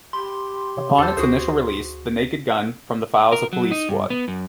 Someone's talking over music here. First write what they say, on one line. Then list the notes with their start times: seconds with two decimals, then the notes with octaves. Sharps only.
Upon its initial release, The Naked Gun: From the Files of Police Squad!
0.13 G4 B5 C6
0.77 C3 C#5
0.98 E2 A4 C5 A5 A6
1.17 D2 F#4 G#4 C5
3.32 A#4
3.53 F#3
3.71 D#4
3.89 G2
4.10 B3
4.28 F#2